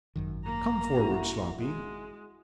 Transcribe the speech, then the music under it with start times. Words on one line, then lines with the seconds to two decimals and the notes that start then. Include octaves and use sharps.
'Come forward, Sloppy.
0.16 G#1 F#2 D#3
0.45 A#3 A#5
0.99 E4 F#4
1.60 G#3